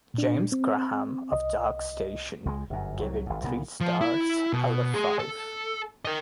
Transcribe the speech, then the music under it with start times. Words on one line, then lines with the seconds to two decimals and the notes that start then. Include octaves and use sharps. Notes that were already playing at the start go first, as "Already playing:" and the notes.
James Graham of "Dark Station" gave it three stars out of five.
0.14 A#2 D4
0.52 C4
1.32 C2 D#5
2.45 C#2 F#3 G#3
2.70 G1 F#2
3.01 C2 F#3
3.26 G#1 G#2
3.43 C2 A#2 G3 B3
3.81 F3
4.01 E4
4.53 B2
4.94 G#4 C6
5.19 A4
6.05 A#4 D#5